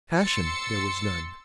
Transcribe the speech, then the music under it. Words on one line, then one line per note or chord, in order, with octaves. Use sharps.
Passion there was none.
C6 E6 A6 C#7